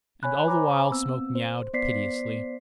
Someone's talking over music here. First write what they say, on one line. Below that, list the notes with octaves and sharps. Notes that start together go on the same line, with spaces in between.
And all the while Smoke meowed piteously.
C#5 G#5 B5 F#6
C5 G#5 A#5 B5 D6
B3 C4 E6
C5
B3 C5 D5 B6 C7